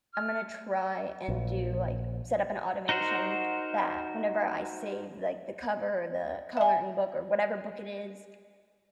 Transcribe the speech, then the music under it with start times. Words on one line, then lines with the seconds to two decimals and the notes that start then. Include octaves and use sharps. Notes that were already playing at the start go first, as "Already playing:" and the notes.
I'm gonna try and do, like set up an automation that, whenever I save, like, the cover, or the coloring book, or whatever book it is,
0.13 F6
1.29 A#1
2.89 D#4 F#4 A#4 C5 F#5
6.57 E5 G#5